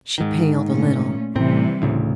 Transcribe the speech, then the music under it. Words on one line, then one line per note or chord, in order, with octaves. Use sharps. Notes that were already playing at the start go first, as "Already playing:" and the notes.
She paled a little.
G#2 D#3
A#2 A3 C#4
A1 A2 C3 E3 G3 C4
D2 A2 C#3